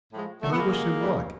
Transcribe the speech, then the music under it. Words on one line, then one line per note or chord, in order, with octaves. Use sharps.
And I wish him luck.
A2 F3 G#3
A#2 F#3 A3
B3
G#3 A#3
F2 C#3 F#3
G#2 E3 G3